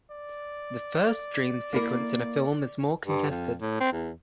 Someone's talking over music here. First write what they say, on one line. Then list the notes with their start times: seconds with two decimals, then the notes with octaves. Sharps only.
The first dream sequence in a film is more contested.
0.11 D5
1.73 A#3 E4 A#4
3.06 G2
3.30 F2
3.61 A2
3.80 C4
3.92 E2